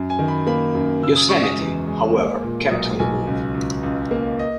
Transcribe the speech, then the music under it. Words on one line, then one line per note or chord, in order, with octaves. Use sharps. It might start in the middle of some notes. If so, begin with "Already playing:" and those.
"Yosemite", however, kept on the move.
Already playing: F#2
G#5
D#3
B5
A#3 B5
F#2
C#3 E6
D#6
G#3 C#6
D#6
E2
G#3
A#3
A#2
B1 D#6
B1 G#5
C#2
C#2
C#2
A#3
D#5